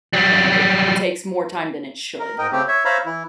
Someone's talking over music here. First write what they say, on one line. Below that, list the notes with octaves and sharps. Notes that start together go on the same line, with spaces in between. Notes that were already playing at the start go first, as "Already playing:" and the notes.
and it it takes more time than it should
F#3 G3
A#4
G#2 A#4 D#5 G5
C#3 A3 C4 G4
C#5 E5
C5 C#5 E5 F5 A#5 B5
E3 E4